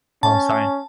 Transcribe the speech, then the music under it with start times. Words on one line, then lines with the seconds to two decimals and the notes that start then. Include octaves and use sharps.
Oh, sorry.
0.23 C#4 A5